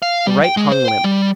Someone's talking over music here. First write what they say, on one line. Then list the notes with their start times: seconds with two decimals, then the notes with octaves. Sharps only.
The right hung limp.
0.02 F5
0.27 G3
0.44 G5
0.57 G#3
0.72 C5
0.88 G5
1.04 G3